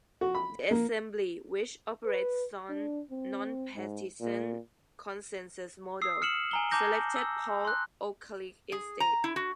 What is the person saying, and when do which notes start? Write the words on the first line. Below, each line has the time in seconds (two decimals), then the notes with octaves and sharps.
The Assembly, which operates on a nonpartisan consensus model, selected Paul Okalik instead.
0.21 F#4
0.35 B5
0.71 A#3
2.05 B4
2.69 D4
3.11 C4
3.76 G#2
4.21 A#2
6.02 D#6 E6 C7
6.22 F6 C#7 E7 F#7
6.51 G#5 A#5 G7
6.71 A5 A#5 D6 G6 A#6
7.16 E6
7.65 C6 F#6
8.72 G#4
9.00 A#5
9.24 E4
9.36 F#4